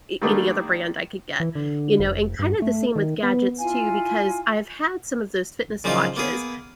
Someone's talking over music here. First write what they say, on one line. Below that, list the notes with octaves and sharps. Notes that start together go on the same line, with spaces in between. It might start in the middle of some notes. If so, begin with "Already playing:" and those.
a any other brand I could get, you know, and kinda the same with gadgets, too, because I have had some of those fitness watches
D#3 G3 A3 A#3 D4
E3
D3
F1
G2
A3
D#3
B3
E4 F4 F5 G#5
A#2 C#3 F3 F#3 D#4 F4
A#3 B3 G#4